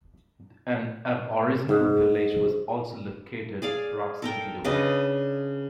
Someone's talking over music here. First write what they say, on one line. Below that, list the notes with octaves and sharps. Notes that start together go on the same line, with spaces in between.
An aboriginal village was also located approximately away.
G#2 G#4
G#4 D5 F5
A4 A#4 G5
C#3 D4 B4 D#5